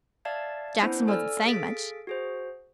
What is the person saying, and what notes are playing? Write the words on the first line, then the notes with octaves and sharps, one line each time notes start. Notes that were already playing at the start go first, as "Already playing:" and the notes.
'Jackson wasn't saying much.
D5 E5 F5 A5 G#6 A6
B3 C#4 D4 E4 C5
A4 D5 G#5 E6 F6
G#4 A4 F5 A6 B6 D7
F#4 G#4 C5